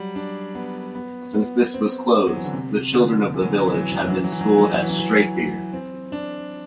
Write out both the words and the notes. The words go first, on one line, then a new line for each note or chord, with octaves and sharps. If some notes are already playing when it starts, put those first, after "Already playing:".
Since this was closed, the children of the village have been schooled at Strathyre.
Already playing: F#3 G3
D4
B3
B3
B3
C4
F#3
E3
D3
C3
D3
E3
F#3
E3
F#3
E3
F#3
E3
F#3
E3
F#3
E3
F#3
E3
F#3
E3
F#3
E3
F#3
E3
F#3
E3
C4
D4